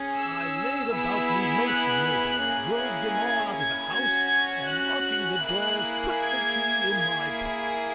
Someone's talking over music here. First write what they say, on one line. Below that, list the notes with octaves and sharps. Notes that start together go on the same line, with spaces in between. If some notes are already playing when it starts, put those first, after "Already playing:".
I laid about me most nobly, drove them all out of the house, and locking the doors put the key in my pocket.
Already playing: C#4 G#4
E6
B3 E4 G#4
F#6
A#3 C#4 E4 G#4
G#6
G#6
C#4 F#4 G#6
F#6
A#3 E4 G#4
G#6
A#3 E4 G#4